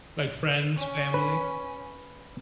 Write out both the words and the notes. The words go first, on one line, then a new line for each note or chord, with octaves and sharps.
Like, friends, family?
C#4
B4